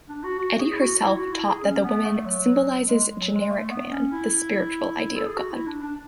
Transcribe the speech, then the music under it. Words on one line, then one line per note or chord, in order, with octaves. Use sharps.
Eddy herself taught that the woman "symbolizes generic man, the spiritual idea of God".
D4
F#4
F#4
G#4
E4
F#4
E4
F#4
E4
G#4
C#4
B3
A3
F#3
G#3
F#3
G#3
A3
B3
B3
C#4
E4
A4
G#4
F#4
E4
D4
D4